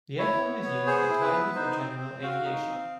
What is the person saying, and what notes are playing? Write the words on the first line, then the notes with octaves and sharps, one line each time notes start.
The airport is used entirely for general aviation.
E4 C#5
B3
B3
G#4 C5
E4
B4
B3
D#4 C5
C4
C4
F#4 F5
D#4
C4